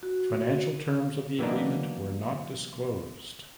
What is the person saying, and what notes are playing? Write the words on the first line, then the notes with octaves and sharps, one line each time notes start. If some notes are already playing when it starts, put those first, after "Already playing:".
Financial terms of the agreement were not disclosed.
F#4
E3 F#3 A#3 B3 D4 D#4